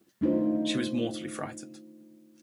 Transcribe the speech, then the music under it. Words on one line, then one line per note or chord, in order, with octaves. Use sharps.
She was mortally frightened.
A3 D4 D#4 F4 C5